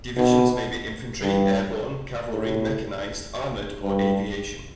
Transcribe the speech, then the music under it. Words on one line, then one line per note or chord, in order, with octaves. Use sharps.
Divisions may be infantry, airborne, cavalry, mechanized, armoured or aviation.
B2
G2
A2
G2